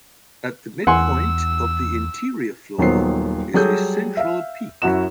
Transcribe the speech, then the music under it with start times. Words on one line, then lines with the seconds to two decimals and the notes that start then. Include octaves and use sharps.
At the midpoint of the interior floor is a central peak.
0.87 E2 F#5 G#5 C6 E6
2.78 D#1 D#3 F#3 B3 C5 C7
3.54 F#3 G3 G#4 A4 G6
4.17 E5 F5
4.82 F#2 E4 F#4 F#5 E7